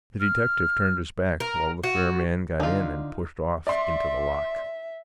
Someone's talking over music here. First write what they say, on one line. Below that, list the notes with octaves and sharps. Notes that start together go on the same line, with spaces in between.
The detective turned his back while the fair man got in and pushed off into the loch.
F6
A#4
F#4
D3 D#4 F4
D5 E5 C6